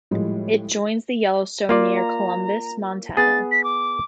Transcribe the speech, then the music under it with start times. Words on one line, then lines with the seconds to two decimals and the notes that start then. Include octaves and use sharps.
It joins the Yellowstone near Columbus, Montana.
0.11 A2 F3 G3 G#3
1.69 A#3 F4 D5
1.96 A#5
3.17 B3 G#4 A6
3.51 B6
3.64 D6